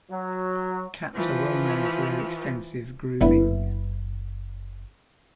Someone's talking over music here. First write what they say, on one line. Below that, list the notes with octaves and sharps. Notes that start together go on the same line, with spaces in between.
Cats are well known for their extensive grooming.
F#3
E3 F3
F#1 D3 B3 E4